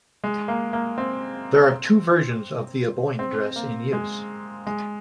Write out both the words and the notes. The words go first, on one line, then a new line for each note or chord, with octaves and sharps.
There are two versions of the Aboyne dress in use.
G#3
A#3
A#3
C4
C4
A#3
G#3
G#3